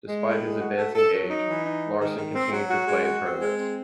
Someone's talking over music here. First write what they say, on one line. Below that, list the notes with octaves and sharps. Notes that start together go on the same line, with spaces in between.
Despite his advancing age, Larsen continued to play in tournaments.
G#3
A2
G#3
F#4
A3
A4
F#3
D#4
E3
D#4
G#3
D#3
D#3
C4
F#3
F#4
G#3
F#4
C4
G#3
C4